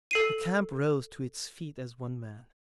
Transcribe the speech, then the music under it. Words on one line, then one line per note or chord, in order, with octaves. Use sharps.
The camp rose to its feet as one man!
A4 C7 D#7